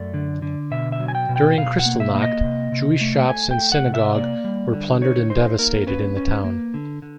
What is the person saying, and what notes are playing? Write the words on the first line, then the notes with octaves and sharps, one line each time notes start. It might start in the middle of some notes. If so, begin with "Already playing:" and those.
During Kristallnacht, Jewish shops and synagogue were plundered and devastated in the town.
Already playing: F#2 A3 D5
D3
D3
B2 E5
E5
F#3
G#5
G5
B2
G5
B2 F5
F#5
A#3
E5
A#3
D#5
C3
C3
A3
A3 G#5
G5
A3
F#5
C3
E5
A#3 D5
G3
D3
D#4 C#5
D#4 C5
A#3 A#4
C#4 B4
C#4
A#3
D3
D3